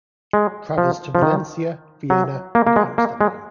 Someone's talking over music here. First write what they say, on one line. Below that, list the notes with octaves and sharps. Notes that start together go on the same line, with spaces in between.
Travels to Valencia, Vienna and Amsterdam.
G#3
F3
F3
D#3
F#3
A#3
A#3
G#3
A#3
G#3